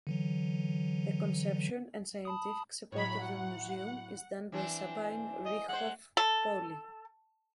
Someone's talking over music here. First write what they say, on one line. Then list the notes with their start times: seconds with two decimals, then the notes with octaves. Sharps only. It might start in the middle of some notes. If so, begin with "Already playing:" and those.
The conception and scientific support of the museum is done by Sabine Rieckhoff-Pauli.
0.07 D3 E3 F#3
2.25 A5 B5 D#6
2.92 A2 F#3 C#5 B5
3.21 F#5
4.52 E3 C4 D4
5.45 D#5
5.68 G#3 C5 F#5
6.17 A4